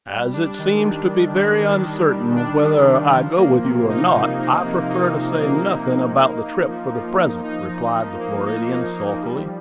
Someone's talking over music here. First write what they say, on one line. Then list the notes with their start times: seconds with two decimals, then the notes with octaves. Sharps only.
"As it seems to be very uncertain whether I go with you or not, I prefer to say nothing about the trip for the present," replied the Floridian, sulkily.
0.08 G3
0.33 D4
0.59 D#3
0.84 D#3
1.09 G3
1.35 D4
1.60 D#3
1.85 D#3
2.10 G3
2.36 D4
2.61 D#3
2.86 D#3
3.12 F3
3.37 A#3
3.63 C3
3.89 D#4
4.14 F3
4.40 A#3
4.65 C3
4.90 D#4
5.16 F3
5.40 A#3
5.66 C3
5.92 D#4
6.18 A#3
6.42 D#4
6.68 F3
6.94 F3
7.18 A#3
7.44 D#4
7.69 F3
7.94 F3
8.20 A#3
8.46 D#4
8.72 F3
8.96 F3
9.22 G3